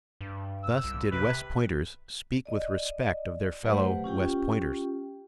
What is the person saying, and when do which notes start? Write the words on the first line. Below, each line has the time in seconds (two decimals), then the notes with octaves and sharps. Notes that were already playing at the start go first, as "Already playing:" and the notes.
Thus did West Pointers speak with respect of their fellow West Pointers.
0.21 G2
0.63 E6
0.84 C2
1.12 C3 B4
2.46 D5 D#5
3.64 F#3 A3 G4 B4 C5 F#5
4.04 C#4 F4 G4 G5